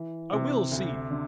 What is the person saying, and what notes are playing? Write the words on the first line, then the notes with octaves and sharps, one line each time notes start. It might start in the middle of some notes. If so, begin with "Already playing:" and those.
I will see!
Already playing: E3
C3
D2
D3